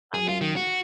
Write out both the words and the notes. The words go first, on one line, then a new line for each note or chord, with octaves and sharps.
I mean,
G#4
F4
D#3
F#4